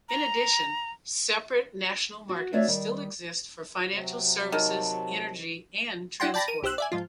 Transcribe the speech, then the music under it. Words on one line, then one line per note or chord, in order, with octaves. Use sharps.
In addition separate national markets still exist for financial services, energy and transport.
A#5
F#4
A3 D4 F#4 C#5 D5 E5
D#3 G3
C3 F#3
D#3 A5
D4 E4 F#5 G5 C6
D5 G5 A5 B5 A6 A#6
A#4 D#7
B1 G4 C5 E6 F#6
D5 E5 G#5
G#2 F3 F4